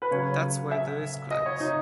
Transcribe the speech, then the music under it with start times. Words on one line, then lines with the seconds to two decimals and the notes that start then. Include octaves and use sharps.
That's where the risk lies.
0.02 B4
0.11 C#3 F#3 C#5
0.71 E5
1.31 D#5
1.46 C#5
1.60 D#4